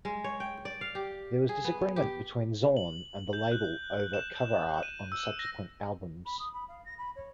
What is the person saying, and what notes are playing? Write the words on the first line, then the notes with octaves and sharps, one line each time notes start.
There was disagreement between Zorn and the label over cover art on subsequent albums.
G#3
C#5
G5
D5
F5
G4
G#4
B3
G4
F#7
G6
F#6
E7
D#7
E6
A#6
B5
D#6
B5
F5
A#6
B5
C#5